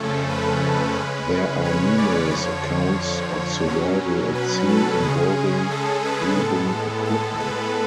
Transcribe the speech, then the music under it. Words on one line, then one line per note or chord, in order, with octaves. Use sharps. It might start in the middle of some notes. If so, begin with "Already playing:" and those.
There are numerous accounts of survival at sea involving Avon equipment.
Already playing: F2 C#3 F3 A3 C#4 A4
B4
C#3 G#3 C#4
C#5
D5
F2 D3 F3 C#5
B2 F#3 C#4
B4
A4
C#3 G#3 C#4 G#4
A4
B4
A2 G#3 B3 A4
A4
A4
B4